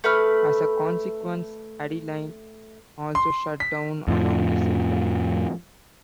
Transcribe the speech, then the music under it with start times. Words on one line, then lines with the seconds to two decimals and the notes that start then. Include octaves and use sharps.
As a consequence, Adeline also shut down around the same time.
0.04 A3 B4 B5 F6
3.15 C6
3.60 B6
4.08 F2 A2 F3